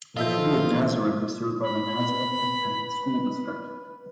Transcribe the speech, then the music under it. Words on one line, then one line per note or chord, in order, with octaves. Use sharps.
The city of Nazareth is served by the Nazareth Independent School District.
E3 F3 F4 A4 D#5 E5 G6
B5
B4